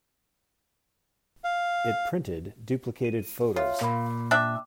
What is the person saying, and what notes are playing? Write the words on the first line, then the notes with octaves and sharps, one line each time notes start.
It printed duplicated photos.
F5
D#7
F4 C#5 E5
A#2 A#4 B5
D4 E5 G5 D6